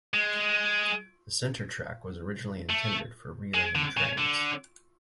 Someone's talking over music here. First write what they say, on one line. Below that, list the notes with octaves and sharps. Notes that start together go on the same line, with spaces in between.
The center track was originally intended for relaying trains.
G#3
A3
G#3
D3
C#3
D3